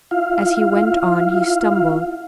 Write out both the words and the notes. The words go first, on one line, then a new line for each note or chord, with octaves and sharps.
As he went on he stumbled.
E4 F4 F5